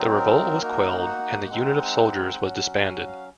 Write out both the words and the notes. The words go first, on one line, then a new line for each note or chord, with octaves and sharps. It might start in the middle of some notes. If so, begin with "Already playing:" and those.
The revolt was quelled and the unit of soldiers was disbanded.
Already playing: F#3 C4 D#4
A#4
A#3 D#4 F#4
F#5
G#3 C4 D#4
F#3 C#4 F#4
F#5
F5